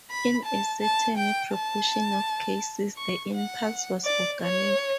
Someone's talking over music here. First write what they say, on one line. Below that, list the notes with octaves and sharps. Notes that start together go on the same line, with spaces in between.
In a certain proportion of cases the impulse was organic.
B5
A5
A5
G5
A5
C#6
F#5
D5
C#5